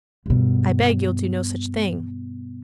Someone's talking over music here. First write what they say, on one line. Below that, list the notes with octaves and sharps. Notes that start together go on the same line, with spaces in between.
'I beg you'll do no such thing.
G2 B2